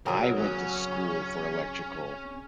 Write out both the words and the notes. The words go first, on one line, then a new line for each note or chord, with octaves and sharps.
I went to school for electrical
C#3 F#3 A#4
C#4